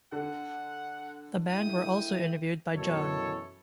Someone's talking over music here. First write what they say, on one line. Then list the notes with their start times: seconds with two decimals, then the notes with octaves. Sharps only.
The band were also interviewed by Joan.
0.12 D3 F#5
1.48 G#2 A3 E4 G5 D#6
2.75 F#2 B2 E3 A4 C#5